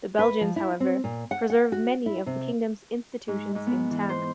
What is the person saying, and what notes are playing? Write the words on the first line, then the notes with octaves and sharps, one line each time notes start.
The Belgians, however, preserved many of the kingdom's institutions intact.
B4
F3
E4
C4
A#2
F#5
F#5
F#4
E4
C3
G#2
G#2
B3
E3
C5